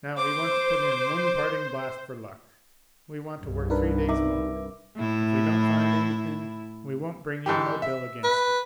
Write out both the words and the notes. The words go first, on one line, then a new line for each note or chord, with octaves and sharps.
Now we want to put in one parting blast for luck. We want to work three days more; if we don't find anything, we won't bring in no bill against you.
C5 D6
C2 G2
D4 D#4 A#4 B4
D#4 E5 D6
A2 E4
G#2 E3 G4
E5
B4